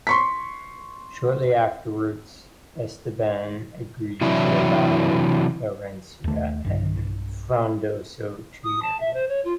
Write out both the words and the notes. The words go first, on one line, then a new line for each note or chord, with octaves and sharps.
Shortly afterwards, Esteban agrees to allow Laurencia and Frondoso to marry.
C6 C#6 B6
C3 E3 F#3 D4 E4
D#2 A3
B1 G2
D#6
A5
E5
C5
C#5
F4